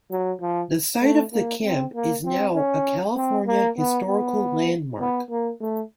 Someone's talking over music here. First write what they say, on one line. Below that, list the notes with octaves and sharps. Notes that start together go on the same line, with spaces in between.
The site of the camp is now a California Historical Landmark.
F#3
F3
A3
A#3
C4
A#3
C4
C#4
C4
A#3
B3
B3
B3
A#3
A3